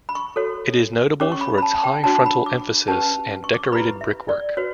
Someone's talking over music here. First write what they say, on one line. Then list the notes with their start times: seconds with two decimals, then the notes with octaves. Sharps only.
It is notable for its high frontal emphasis and decorated brickwork.
0.09 B5
0.15 C#6
0.36 F#4 A4 C#5
1.20 C#4 G4 C#5 D6
1.32 C#6
1.41 B5
1.58 B5
1.62 A5
1.84 G5
2.04 D4 F#4 C#5 A5
2.26 B5
2.46 D6
2.88 C#4 G4 B4 A5
3.44 C#6
3.54 D6
3.64 C#6
3.72 E4 G4 B4 B5
4.01 E5
4.29 D5
4.57 F#4 B4 C#5